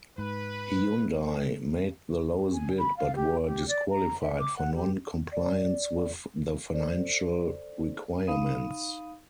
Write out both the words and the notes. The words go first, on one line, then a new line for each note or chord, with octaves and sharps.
Hyundai made the lowest bid but were disqualified for non-compliance with the financial requirements.
G#2 B4
G#5
B5
F5
G4
G4
D5
A#5
E5
D6
F#5
G4
D5
A4 C5 D5
D#4 F5 B5 D#6 D#7